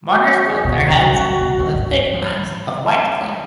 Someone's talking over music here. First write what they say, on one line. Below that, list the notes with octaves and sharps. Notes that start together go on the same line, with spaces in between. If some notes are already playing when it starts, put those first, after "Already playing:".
Mourners coat their heads with a thick mass of white clay.
F#4
F#4
G#4
B2 F#4
C#3
C#3
B2
F#2
G#2